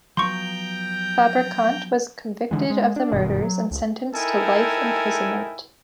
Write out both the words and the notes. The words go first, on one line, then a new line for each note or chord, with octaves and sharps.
Fabrikant was convicted of the murders and sentenced to life imprisonment.
F3 F#3 B3 G5 A#5 C6 C#6 G6
D3 E3 G#3
G#3
D4
G1 F#2 B2 D#3
F#3
C#2
D#4 E4 A4 A#4 G5 G#5